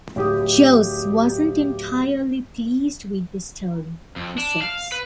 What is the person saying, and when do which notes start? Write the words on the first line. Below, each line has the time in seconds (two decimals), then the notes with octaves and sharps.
"Joss wasn't entirely pleased with this story," he says.
0.16 D1 G4 D#6
4.16 F2
4.38 D4
4.62 F5
4.92 B4